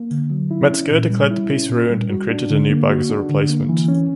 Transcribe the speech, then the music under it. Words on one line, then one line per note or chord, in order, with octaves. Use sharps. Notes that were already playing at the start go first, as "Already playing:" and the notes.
Metzger declared the piece ruined and created a new bag as a replacement.
Already playing: A#3
D3
F#3
E4
C#4
A#2
G3
E4
C#4
A#2
G3
F#4
D4
D3
A#3
F#4
D4
D3
A#3
E3
C#4